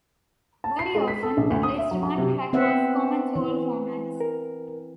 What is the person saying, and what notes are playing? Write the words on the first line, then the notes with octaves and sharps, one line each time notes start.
Very often, at least one track was common to all formats.
A5
C7
G#3
B6
A4
A#1
D2
D#6
E5
F#3
F#3
C3
B3 C4 B4 C5 E5 F#5
E3
A#4